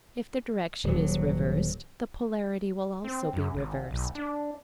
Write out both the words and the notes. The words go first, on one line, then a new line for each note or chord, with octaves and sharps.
If the direction is reversed, the polarity will also be reversed.
D#1 F#3
C4
F#2
G#1
B1
D4